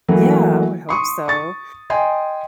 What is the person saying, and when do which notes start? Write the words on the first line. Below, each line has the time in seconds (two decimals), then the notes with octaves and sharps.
Yeah, I would hope so.
0.08 E3 F#3 A3 A#3
0.89 C6 C#6 D#6
1.28 C#6 A6
1.90 D#5 G5 G#5 C6